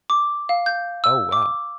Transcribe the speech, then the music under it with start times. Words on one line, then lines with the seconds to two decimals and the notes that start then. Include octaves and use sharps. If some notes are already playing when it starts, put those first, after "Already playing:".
Oh wow.
0.10 D6
0.49 F5
0.66 G6
1.04 E6
1.32 D6